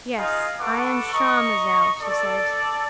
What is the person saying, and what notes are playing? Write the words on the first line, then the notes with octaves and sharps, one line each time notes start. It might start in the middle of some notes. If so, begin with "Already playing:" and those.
"Yes, I am 'Charmazel,'" she said.
D#4 F4 G#4 D#5 F5
A4 B4 F#5 C#6 D6
D#5 A#5 C#6
A4 D5